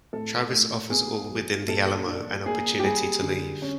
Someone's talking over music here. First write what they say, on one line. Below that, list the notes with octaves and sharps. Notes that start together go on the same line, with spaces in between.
Travis offers all within the Alamo an opportunity to leave.
A2 A4
A2
B3 G#4
F#3
A#2 A4
D4
A#3 G#4
G4
G3 G#4
D3
C#4